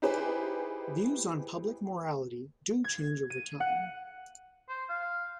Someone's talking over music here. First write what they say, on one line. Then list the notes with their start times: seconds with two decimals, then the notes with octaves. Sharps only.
Views on public morality do change over time.
0.02 D#4 E4 G4 G#4 B4 C5
2.84 G#6
3.30 D#7
3.60 F#5
4.69 C5
4.89 F5